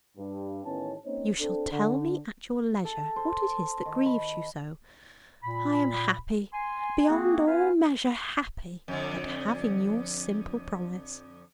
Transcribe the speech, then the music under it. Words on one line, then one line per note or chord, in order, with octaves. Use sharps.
"You shall tell me at your leisure what it is that grieves you so; I am happy--beyond all measure happy!--at having your simple promise."
G2
A1 D#3 E3 B3 C#4 A5
A#3 C4 C#4 D#4 C5 C#5
C4 D4 A4
D3
A4
C5
D#3
B5
A#2 B5
G#5 C6
A#3 C4 F#4 G#4
C4 E4 F4 B4 F5 G#5
F2 D3